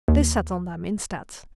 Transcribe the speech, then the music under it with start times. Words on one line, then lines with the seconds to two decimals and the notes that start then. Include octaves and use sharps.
They sat on them, instead.
0.08 D#2